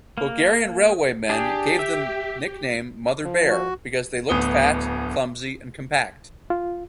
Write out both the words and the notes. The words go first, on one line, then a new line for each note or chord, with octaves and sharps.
Bulgarian railwaymen gave them nickname "Mother Bear" because they looked fat, clumsy and compact.
A#3
D4 G4 G#4
E5
F3
F#4
D1 D2 B3 D#6 G7
F4